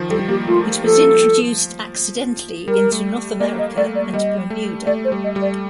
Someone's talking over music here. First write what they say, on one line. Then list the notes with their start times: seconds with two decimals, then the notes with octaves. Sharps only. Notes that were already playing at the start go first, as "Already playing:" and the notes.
It was introduced accidentally into North America and Bermuda.
Already playing: D#3 F3
0.11 G3 A4
0.29 A#3 G4
0.47 A3 F4
0.84 F3 A4
2.68 G3 A#4
2.92 A3
3.40 A#3 D5
3.59 D#5
3.77 A3 D5
3.95 D5
4.14 G3 D#5
4.50 A3
4.86 A3 D5
5.05 C5
5.12 G3
5.24 D#5
5.36 G3
5.42 D5